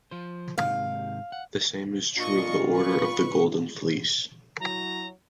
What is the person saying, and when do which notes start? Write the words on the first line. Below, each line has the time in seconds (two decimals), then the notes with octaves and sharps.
The same is true of the Order of the Golden Fleece.
0.11 F3 C5
0.58 G#2 C3 D#3 F5
1.32 F#5
2.17 A#2 D4 F4 D#5 C#6
2.74 B4 C#6
4.60 F#3 E4 A#5